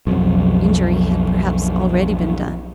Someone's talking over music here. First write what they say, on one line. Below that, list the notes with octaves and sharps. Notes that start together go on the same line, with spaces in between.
Injury had perhaps already been done.
B1 F2